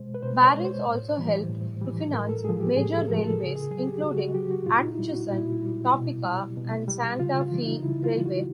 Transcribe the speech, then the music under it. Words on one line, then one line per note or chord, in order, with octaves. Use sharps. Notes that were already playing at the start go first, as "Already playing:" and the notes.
Barings also helped to finance major railways including Atchison, Topeka and Santa Fe Railway.
Already playing: B2 G#3 C5
B4
B2 C5
C#5
G#3
C5
A2
E3 G3
A2
E3 G3
A2 A#4
A4
F3 G#3 G#4
G4
A2 G#4
A4
F3 G#3 A#4
A4
C#3 G#4
G#4
F#3 G#4
G4
C#3 F#4
F#4
F#3 G4
F#4
A#2 F4
D#4
E4
G3
F#4
A#2 E4
G3
B2
G3
B2
G3
C#3 F4
F4
E3 G3
D#4
C#3 E4
F4
E3 G3
F#4